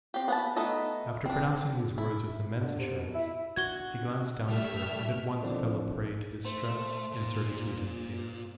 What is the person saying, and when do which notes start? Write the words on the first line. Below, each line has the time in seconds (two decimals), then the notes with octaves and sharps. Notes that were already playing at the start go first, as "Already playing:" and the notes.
After pronouncing these words with immense assurance, he glanced down at her, and at once fell a prey to distress, incertitude, and fear.
0.14 C4 G4
0.28 B3 F#5 A5
0.56 A3 B3 D#4 A4 D#5
1.26 C4 D4
1.98 E4
2.61 D3
2.78 C3
2.96 B2
3.14 E4
3.56 D3 F#4 G#6 G7
4.49 G3 A3 E5 F6
5.41 D3 E3 F3 A#3 C4 D4
6.45 A3 C5
7.12 A#2